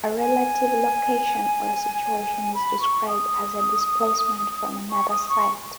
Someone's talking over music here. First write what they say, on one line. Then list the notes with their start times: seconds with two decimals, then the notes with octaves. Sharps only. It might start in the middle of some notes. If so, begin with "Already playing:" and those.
A relative location, or situation, is described as a displacement from another site.
0.19 G#5
2.54 B5
2.81 C#6
3.08 D#6
4.91 C#6
5.10 D#6
5.29 C#6